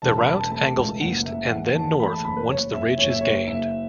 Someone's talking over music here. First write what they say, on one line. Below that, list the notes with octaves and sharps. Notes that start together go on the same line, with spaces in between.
The route angles east and then north once the ridge is gained.
E1 A5
B5
E1
A5
A3 A5
C#2
F#1 F#5
F#1 E5
E2 F#5
E2 A5
A3 B5
A5
F#1 B5
B4
F#1 C#5
F#1 E5
F#1 C#5
E5
F#1 C#5
F#1 E5